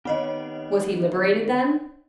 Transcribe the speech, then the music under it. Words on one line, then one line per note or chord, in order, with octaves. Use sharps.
"Was he liberated, then?"
D#3 B3 C4 G4 C#5 D#5